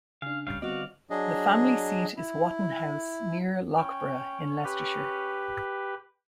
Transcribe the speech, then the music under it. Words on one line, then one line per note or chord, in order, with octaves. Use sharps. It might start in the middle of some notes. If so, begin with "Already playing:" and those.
The family seat is Whatton House near Loughborough in Leicestershire.
C#3 D4 F5 G#5
C#2 G3 C#4 F5 G6
D3 G3 B3 C4 F#4 D5 D#5 F5
F#3 D4 G#4 D#5
E4
C#4 G5
G4 B4